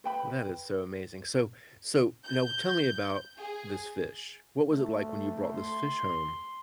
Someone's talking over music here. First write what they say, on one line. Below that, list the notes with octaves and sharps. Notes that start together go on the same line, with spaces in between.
That is so amazing. So so now tell me about this fish. What was it like when you brought this fish home?
B4 G5 B5
G6
G#4
A3
C6